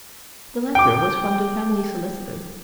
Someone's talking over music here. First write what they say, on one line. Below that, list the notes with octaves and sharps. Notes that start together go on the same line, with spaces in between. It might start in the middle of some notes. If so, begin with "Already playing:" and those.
The letter was from the family solicitor.
G5 D6